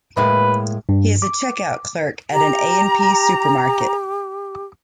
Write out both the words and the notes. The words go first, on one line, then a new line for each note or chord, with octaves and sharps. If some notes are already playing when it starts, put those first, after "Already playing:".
He is a checkout clerk at an A and P supermarket.
A2 G#3 A#3 B4
G2
D6
G4 A#5